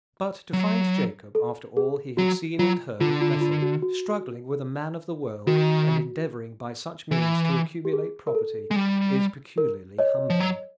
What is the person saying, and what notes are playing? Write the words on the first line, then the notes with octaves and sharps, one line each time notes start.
But to find Jacob, after all he had seen and heard at Bethel, struggling with a man of the world, and endeavoring by such means to accumulate property, is peculiarly humbling.
F#3
A4
G#4
F#3 F#4
F#3 F4
D3 F4
F4
F4
F#4
F#4
D#3 F#4
E3
G4
G#4
A#4
A4
G#3
G3
A#4
C#5 D#5
F3
F#3